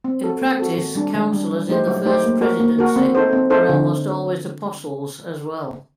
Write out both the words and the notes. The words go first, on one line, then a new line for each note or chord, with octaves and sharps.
In practice, counselors in the First Presidency are almost always apostles as well.
C4
F#4 A4
C4
F#4 A4
D#3
G3 D4
D#3
G3 D4
F#3
A3 D#4 G4 C5
F#3
A3 D#4 G4 C5
A#3
F#4 A#4
A#3
F#4 A#4
C4
D#4 A4 C5
C4
D#4 A4 C5
D3